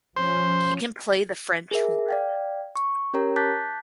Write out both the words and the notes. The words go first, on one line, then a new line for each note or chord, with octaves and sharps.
She can play the French horn.
F3 C#4 C5
G#4 A#4 E5
D5 F5 G5
C#6
C#4 G4 A#4 C#5 A#5
A5 D6 F#6 G6 A6 B6